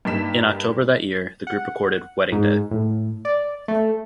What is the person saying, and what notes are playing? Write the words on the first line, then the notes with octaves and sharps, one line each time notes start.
In October that year, the group recorded "Wedding Day".
G2 A#3 D#4 B6 E7
F#5
G#2
A2
D5
A3